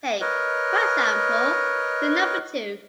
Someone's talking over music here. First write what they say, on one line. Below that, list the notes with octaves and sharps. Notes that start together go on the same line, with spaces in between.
Take, for example, the number two.
A#4 B4 C#5 D#5